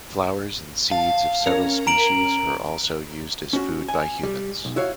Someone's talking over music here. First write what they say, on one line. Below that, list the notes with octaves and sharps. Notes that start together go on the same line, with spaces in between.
Flowers and seeds of several species are also used as food by humans.
F5 A5
C#4 A#4
A#5 D7 F#7
C#4 F#4
G#5
G3
B1
E4 F#4 C#5 F5